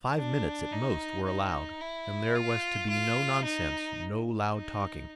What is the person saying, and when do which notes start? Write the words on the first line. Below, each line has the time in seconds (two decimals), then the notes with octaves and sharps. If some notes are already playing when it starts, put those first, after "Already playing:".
Five minutes at most were allowed, and there was to be no nonsense, no loud talking.
0.17 D4
0.72 D#4
1.26 D#4
1.81 E4
2.35 F4
2.89 F4
3.44 D#4
4.53 D#4